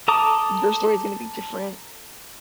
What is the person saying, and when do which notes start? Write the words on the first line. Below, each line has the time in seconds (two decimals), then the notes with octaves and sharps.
Their story is gonna be different,
0.08 A4 A5 A#5 D6 D#6